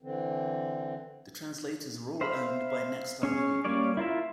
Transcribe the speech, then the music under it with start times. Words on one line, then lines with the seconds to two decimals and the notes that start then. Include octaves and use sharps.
The translators are all owned by Nexstar Media Group.
0.03 D3 E3 C4
2.21 C5 E5 F5 B5
3.23 C#4 G#4 C#5
3.65 G3 A#3 C#4 C#5 D5
3.97 E4 F4 A#4 E5